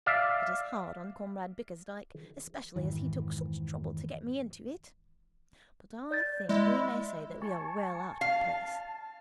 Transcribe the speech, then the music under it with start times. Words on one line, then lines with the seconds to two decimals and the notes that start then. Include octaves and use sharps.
It is hard on Comrade Bickersdyke, especially as he took such trouble to get me into it, but I think we may say that we are well out of the place.'
0.06 D5 E5 F5
2.76 F2 G#2 D#3 E3
6.11 D5 G6 A6
6.49 G#3 E4 D5
7.42 G#5 A5 C#6
8.21 F5 A5